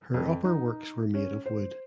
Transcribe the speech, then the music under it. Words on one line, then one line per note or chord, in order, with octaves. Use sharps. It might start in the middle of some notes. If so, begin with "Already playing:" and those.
Her upper works were made of wood.
F2
D#4
C#4
C5